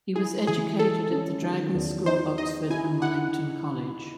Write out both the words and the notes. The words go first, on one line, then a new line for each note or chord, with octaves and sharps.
He was educated at the Dragon School, Oxford, and Wellington College.
E4 G#4
E3 G#4
G#3 A4
C#4
D#3
E2
D#4 C5
D#4 D#5
E4 G#5
E4 F#5